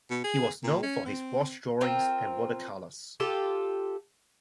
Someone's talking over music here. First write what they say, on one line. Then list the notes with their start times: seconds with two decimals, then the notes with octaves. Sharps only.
He was known for his wash drawings and water colours.
0.10 B2
0.24 G#4
0.63 A#2
0.83 C#4
1.05 C4
1.81 C4 F4 A#4
3.20 F4 G4 A4